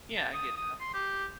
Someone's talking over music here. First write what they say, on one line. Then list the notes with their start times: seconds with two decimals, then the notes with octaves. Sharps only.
Yeah, I get that.
0.17 A5
0.33 D#6
0.57 D#6
0.80 C6
0.94 G4